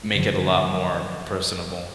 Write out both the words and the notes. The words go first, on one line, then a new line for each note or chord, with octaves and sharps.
make it a lot more personable.
G2 D3 F3 F#3